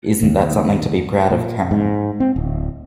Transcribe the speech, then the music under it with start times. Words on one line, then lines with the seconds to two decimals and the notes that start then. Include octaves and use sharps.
Isn’t that something to be proud of, Karen?
0.23 D#2
1.31 A#2
1.71 G#2
2.20 C4
2.36 D1